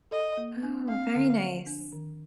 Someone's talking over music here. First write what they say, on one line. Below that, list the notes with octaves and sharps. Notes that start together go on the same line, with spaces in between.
Oh, very nice.
A4 D#5
A#3
D4
C4 F5
D3
F3
D4
D#3